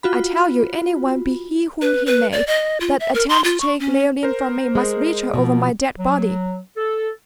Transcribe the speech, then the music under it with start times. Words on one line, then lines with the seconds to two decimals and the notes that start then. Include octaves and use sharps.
"I tell you any one, be he whom he may, that attempts to take Leoline from me, must reach her over my dead body!"
0.03 F4 F#4 B5
1.81 B4
2.06 B4
2.32 D5
2.47 D#5
2.80 F4
3.00 E5
3.14 A#4
3.29 C6
3.44 F4
3.60 C#6
3.80 C#4
4.23 A#4 C5
4.75 G#3
5.34 B2 F3
5.98 F#3
6.76 A4